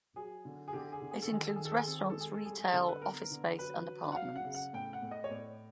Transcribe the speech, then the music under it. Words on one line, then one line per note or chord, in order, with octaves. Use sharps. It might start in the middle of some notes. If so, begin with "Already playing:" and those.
It includes restaurant, retail, office space and apartments.
F#3 G#4
D3
G#4
D3 G4
G#4
D3
G#4
A4
D#3 G#4
A4
D#3 G#4
A4
G#4
C4 A4
G#4
A4
G#3 G#4
A4
G3 G#4
G#4
D3 A4
B4
B3 A#4
D3
F#3 B4
F#3
F#5
F#3 F5
F#5
C#3
F#5
A2 G5
F#5
A2
D#5
C#5
A2 D5